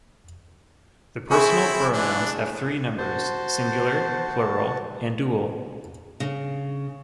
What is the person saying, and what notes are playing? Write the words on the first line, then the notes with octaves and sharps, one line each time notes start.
The personal pronouns have three numbers: singular, plural and dual.
C4 E4 G#4 B5 C#6
E3 D4
F#4 C5 A5
C#3